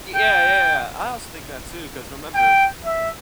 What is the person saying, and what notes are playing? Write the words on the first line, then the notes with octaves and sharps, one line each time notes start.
Y yeah, yeah, I also think that too 'cause remember,
G5
G5
E5